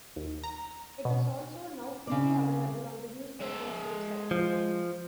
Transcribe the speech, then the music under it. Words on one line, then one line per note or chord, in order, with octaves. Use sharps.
It is also now freely available on the newspaper's website.
D#2
A#5
B2
C#3 C4 D5
G#3 E5
F3